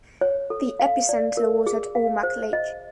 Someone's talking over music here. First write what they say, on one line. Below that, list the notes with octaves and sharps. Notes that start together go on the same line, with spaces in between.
The epicenter was at Omak Lake.
C#5
A4
F5
D5
A#4
G#4
F5
C5
D#5